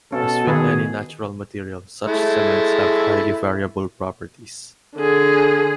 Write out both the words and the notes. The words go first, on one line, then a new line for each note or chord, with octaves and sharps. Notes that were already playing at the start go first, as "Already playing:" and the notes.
As with any natural material, such cements have highly variable properties.
B2 C#4 A4
D#3 B3 G#4 B4
G#3 A3 E4
D3 G#4